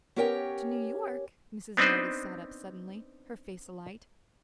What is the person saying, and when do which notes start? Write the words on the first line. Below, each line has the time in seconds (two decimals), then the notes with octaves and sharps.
"To New York?" Mrs. Merideth sat up suddenly, her face alight.
0.16 B3 C#4 G4 A#4 C#5 G5
1.77 B3 C4 D4 D#4 B4 C5